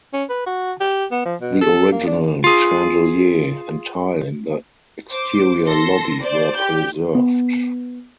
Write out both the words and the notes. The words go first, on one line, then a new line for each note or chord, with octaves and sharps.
The original chandelier and tile in the exterior lobby were preserved.
C#4
B4
F#4
G4
B3
F3
B2
A4
A#3
D4
F4 G#4
C5 D6
A4 C6 A#6
C5 D5
G4 G6
B3